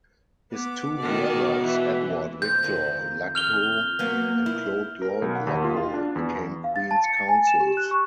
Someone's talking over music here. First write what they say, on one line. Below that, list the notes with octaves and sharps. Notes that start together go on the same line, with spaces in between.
His two brothers, Edward Victor Luckhoo and Claude Lloyd Luckhoo, became Queen's Counsels.
B3 D6
B2 D#3 D5
E3
C4 G6
F2 D#3
F6 F7 G7
F#3 A#3 B3
E4
A#4
B1
F#5
D#2
F4
F4
D4
E2
F5
A6
A5
C#7
A6
G#5
E7
G4
F#6
C#6